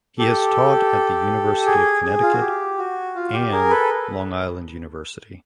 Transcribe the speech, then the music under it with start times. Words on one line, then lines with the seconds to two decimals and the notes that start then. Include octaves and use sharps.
He has taught at the University of Connecticut and Long Island University.
0.19 G4 A4
1.67 G#4
2.04 G#4
2.23 F4
2.32 F#4
2.41 G4
2.78 F#4
3.15 F4
3.33 G4
3.52 G#4 A#4
3.70 A4 B4